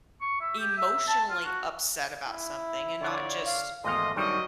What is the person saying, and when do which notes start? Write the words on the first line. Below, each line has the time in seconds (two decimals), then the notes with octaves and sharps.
emotionally upset about something and not just
0.22 C#6
0.41 E5
0.59 G4
0.78 E5
1.08 A5
1.30 F4
1.45 F#4
2.28 E4
3.01 D3 F4 C#5 D5 F#5
3.45 F5
3.84 G#1 E2 A3 D#5 F5 C6
4.16 G2 D#3 F#3 G3 C4 D#5 C#6